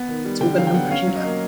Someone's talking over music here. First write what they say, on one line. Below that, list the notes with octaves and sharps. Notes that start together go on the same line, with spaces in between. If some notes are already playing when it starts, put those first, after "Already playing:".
It's all going to come crashing down.
Already playing: B3
D#3
G3
D3 G5
F#3 F5
G5
B3 F#5
C#4 F5
F#3
D#5
A#3